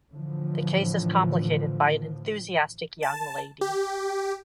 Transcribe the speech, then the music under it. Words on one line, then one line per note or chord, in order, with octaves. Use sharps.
The case is complicated by an enthusiastic young lady.
A2 D3 E3 F3
A5
G4